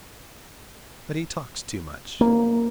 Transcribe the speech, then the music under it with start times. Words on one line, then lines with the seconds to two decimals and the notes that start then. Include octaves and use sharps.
"But he talks too much."
2.21 A#3